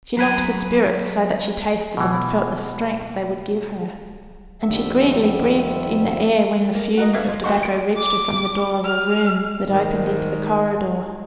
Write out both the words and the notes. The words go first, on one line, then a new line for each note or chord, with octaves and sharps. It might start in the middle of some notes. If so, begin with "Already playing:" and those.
She longed for spirits so that she tasted them and felt the strength they would give her; and she greedily breathed in the air when the fumes of tobacco reached her from the door of a room that opened into the corridor.
F#3 B4 G#5
B2 E3
F2 D3 D#3 G3 E5
A#3
F#4 A#4 D#5
D2 A2 B3 E5 F5 G#6
G#3
D#2 F#4 G4 D#5 C6 C#6
D#5 D7
D6
F6
G#2 D#3